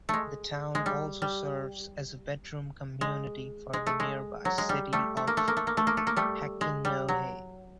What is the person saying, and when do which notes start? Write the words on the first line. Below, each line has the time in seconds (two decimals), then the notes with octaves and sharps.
The town also serves as a bedroom community for the nearby city of Hachinohe.
0.09 G#3 A3
0.75 G#3
0.86 G3
1.22 G3
3.01 G#3
3.73 G#3
3.86 A3
4.00 G#3
4.45 F#3
4.58 G#3
4.69 G3
4.93 G3 A3
5.17 A3
5.27 A#3
5.37 A3
5.48 A#3
5.57 A3
5.67 A#3
5.77 A3
5.87 A#3
5.97 A3
6.07 A#3
6.17 G3 A3
6.61 G#3
6.85 G3
7.08 F#3